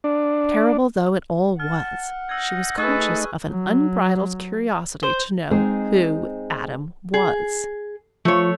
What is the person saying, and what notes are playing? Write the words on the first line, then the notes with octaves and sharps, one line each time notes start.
Terrible though it all was, she was conscious of an unbridled curiosity to know who Adam was.
D4
F#5 A5 F6
D#4 E6 G#6
A3 D#4 G#4 A4 B4 D#5 C#6 F#6
F#3
C5
G#3 C4 D#4 G#4 C5
G#4
F3 A3 C#5